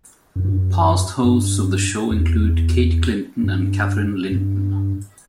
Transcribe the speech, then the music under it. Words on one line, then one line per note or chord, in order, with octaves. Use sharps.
Past hosts of the show include Kate Clinton and Katherine Linton.
F#2
G2
F#2
G2
E2
G2
G2